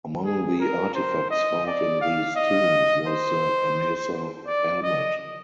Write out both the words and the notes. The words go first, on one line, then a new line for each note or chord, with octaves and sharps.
Among the artifacts found in these tombs was the Emesa helmet.
G#4
A#4
C5
D#5
D5
F5
D#5
C5
D5
D#5